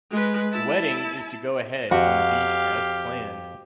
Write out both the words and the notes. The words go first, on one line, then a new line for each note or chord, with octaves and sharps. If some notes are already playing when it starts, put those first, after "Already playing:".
The wedding is to go ahead on the beach as planned.
G#3 B4
E4 A5
F2 F#4 G4 F5